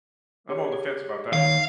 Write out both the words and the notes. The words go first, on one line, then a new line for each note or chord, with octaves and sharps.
I'm on the fence about that one.
G4 G#4 C#5
D#2 D#3 C#5 F5